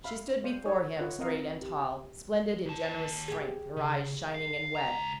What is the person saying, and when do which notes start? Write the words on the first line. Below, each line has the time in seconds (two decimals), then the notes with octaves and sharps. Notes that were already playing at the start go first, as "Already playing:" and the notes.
She stood before him, straight and tall, splendid in generous strength, her eyes shining and wet.
0.04 E5 F5 B5
0.44 C5 D5 F5
0.65 D#4 A4 C#5
0.97 F4 B4 C#5 D#5 E5 F#5
1.19 C4 A#4 D#5 F5
1.62 G4
2.66 D#2 A5
3.28 G4 G#4
3.76 C#3
4.34 F5
4.75 C#2 A#5